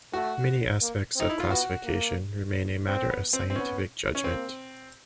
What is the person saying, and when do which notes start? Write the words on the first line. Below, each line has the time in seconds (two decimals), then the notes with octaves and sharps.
Many aspects of classification remain a matter of scientific judgment.
0.13 A3 F#4
0.81 A#3
1.15 C4 D#4
1.29 E4
1.40 F4
1.50 B3 F#4
1.84 A#3
2.88 C4
3.10 B3
3.33 C4
3.50 C4
3.55 B3 C#4
4.15 C#4
4.24 A#3 C4